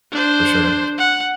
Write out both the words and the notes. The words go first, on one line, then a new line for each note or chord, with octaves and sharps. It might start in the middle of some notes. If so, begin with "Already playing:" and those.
for sure.
D4 C5
F#5